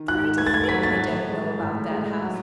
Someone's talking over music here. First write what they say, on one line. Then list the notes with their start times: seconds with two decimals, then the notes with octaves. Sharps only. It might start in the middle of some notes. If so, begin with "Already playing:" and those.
There ain't a thing I don't know about that house.
Already playing: D#3
0.08 G#2 F#6
0.38 A3 G#6
0.47 A6
0.54 G#6
0.69 F#3 B6
0.83 A6
0.99 A2
1.29 G#3
1.60 A2
1.90 G#3
2.21 F#3